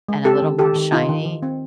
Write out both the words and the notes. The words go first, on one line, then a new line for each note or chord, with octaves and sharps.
and a little more shiny,
G#3
C4 G4 A4
D#3
D#3 G4 A4
D#3
D#3 D#4 F4
D#3
D#3
C4